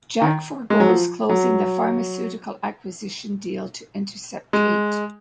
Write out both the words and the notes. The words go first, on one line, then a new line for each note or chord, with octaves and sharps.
Jack forgoes closing the pharmaceutical acquisition deal to intercept Kate.
D#3
G#3
F#3
F3
F#3
G#3